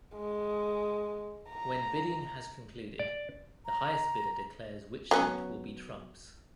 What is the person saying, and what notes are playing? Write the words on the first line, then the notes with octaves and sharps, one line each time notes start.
When bidding has concluded the highest bidder declares which suit will be trumps.
G#3
A#5
D5
A#5
F#3 B3 C#4